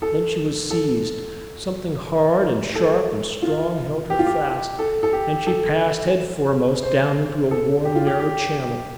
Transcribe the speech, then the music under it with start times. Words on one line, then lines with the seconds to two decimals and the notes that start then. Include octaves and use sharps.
Then she was seized, something hard and sharp and strong held her fast, and she passed head foremost down into a warm, narrow channel.
0.02 A4
0.70 A4
2.75 A4
3.42 F4
4.10 G4
4.19 F4
4.26 G4
4.79 A4
5.03 A4
5.13 G4
5.47 A4
6.83 C5
7.51 A4
7.85 G4
7.96 F4
8.07 G4
8.19 G4